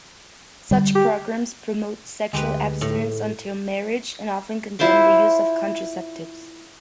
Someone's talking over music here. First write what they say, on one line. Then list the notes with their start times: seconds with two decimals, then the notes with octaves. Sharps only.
Such programs promote sexual abstinence until marriage and often condemn the use of contraceptives.
0.71 D3 G3
0.95 G4
2.33 D2 G#3 G4 B4
2.81 A2
4.79 E4 F4 C5 D6